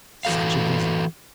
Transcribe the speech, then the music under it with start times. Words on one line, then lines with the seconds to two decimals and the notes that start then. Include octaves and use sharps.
Such a visitor!
0.25 E3 F#4 A4 F5